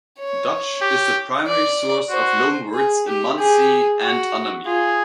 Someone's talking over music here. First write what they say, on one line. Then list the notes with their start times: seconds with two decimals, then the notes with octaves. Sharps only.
Dutch is the primary source of loan words in Munsee and Unami.
0.19 C#5
0.82 G4
1.47 D5
2.10 F#4 C5
2.74 G#4
3.07 G4
3.38 G4 G#4
4.03 F#4
4.66 F4 G#4